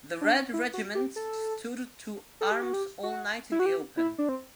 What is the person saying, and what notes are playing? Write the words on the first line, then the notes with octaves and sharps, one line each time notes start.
The Red Regiment stood to arms all night in the open.
D4
E4
F#4
G4
A4
A4
G4
F#4
G4
F#4
E4
F#4
G4
E4
D4
C4